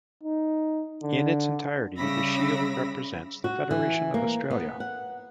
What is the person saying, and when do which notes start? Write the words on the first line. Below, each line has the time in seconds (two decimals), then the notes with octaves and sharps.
In its entirety the shield represents the federation of Australia.
0.24 D#4
1.03 D3
1.97 C#3 G3 E5 B5 A#6
3.44 F#4
3.71 E3
4.14 A#3
4.51 B3
4.80 F#5